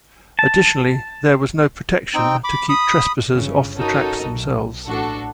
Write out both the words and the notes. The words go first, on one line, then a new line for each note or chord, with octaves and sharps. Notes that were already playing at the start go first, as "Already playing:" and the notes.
Additionally, there was no protection to keep trespassers off the tracks themselves.
A5
C4 D#4 G5
B5 D6
B5 D#6
G1 C#3
C#4 D#4 F#4 A4 A#4 D#5
B1
A1 D4 F#4 A4